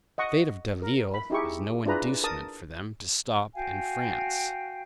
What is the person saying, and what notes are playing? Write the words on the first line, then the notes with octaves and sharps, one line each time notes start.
The fate of Delisle was no inducement for them to stop in France.
D#5 F#5 C#6
A#4
B5
D#4 E4 G4 G#4 C#6
D4 E4 F4 G#4 B4 A#5
A#4 A5 D#6
F#4 F5 G5 G#5